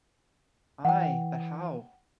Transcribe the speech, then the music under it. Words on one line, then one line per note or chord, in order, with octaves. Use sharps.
Ay, but how?
E3 F#5 G5